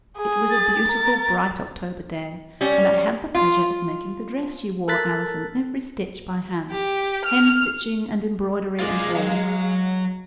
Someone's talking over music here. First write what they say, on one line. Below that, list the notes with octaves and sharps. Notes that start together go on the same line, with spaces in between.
It was a beautiful bright October day, and I had the pleasure of making the dress you wore, Allison, every stitch by hand, hemstitching and embroidery and all.
G#4
A6
A#4
G3 C#4
F4
A4 A#4 F#6 A6 B6
G4
F6
G#3 F4 D5 F5
F#3